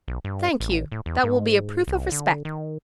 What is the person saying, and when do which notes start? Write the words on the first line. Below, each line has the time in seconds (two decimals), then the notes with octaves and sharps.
"Thank you; that will be a proof of respect."
0.08 B1
0.25 G2
0.60 A1
0.92 A2
1.06 E2
1.23 G#2
1.88 C2
2.12 D3
2.45 D#3